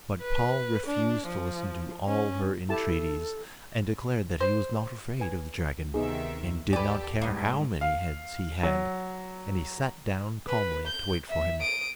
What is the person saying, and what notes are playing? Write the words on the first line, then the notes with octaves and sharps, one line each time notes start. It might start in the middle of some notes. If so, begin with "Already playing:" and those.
But Paul refused to listen to all her entreaties, and declared that he was not afraid of the dragon, and did not care how many heads he had; and he sat down calmly to wait for him.
B4
D4
F3
C#4
E4 G4 A4 A5
C5
B4 G#5
D2 C3 D#3 B3 D#4 G#4 E5
G4 A4 B4 D5 G#5
C2 G#2 A#3 B3
F5
F#3
B4
G6
E5
D#6 D7